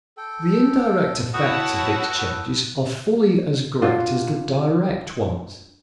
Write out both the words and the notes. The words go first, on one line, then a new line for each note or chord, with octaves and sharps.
The indirect effects of these changes are fully as great as the direct ones.
A4 G5
E4 F#4 A4 B4 C#5 G5 A5 D#6
D4 F4 F#4